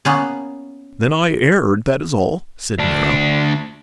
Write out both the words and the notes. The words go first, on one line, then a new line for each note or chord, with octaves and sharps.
"Then I erred, that is all," said Nero.
A#3 B3 C#4 G#4
D2 D4